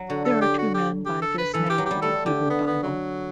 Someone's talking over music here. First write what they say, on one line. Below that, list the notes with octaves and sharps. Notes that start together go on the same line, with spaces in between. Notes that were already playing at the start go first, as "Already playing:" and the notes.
There are two men by this name in the Hebrew Bible.
Already playing: F#3
D3 F#4
A4
G4
F#4
G4
G4
A4
B4
E3 A4
E3 G4
F#3
G3 G4
A3 A4
D3 G4
B3
B3
F#3